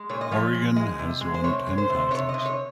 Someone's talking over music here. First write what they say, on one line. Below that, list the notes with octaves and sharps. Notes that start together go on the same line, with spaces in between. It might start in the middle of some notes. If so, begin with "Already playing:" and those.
Oregon has won ten titles.
Already playing: G#3
A#2 C#5
D#5
F3 C#5
G#3
G#3 D#5
C3
G#3
C5
C3 C#5
G#3
C5
C3
C3 C#5
D#5
C3
C#5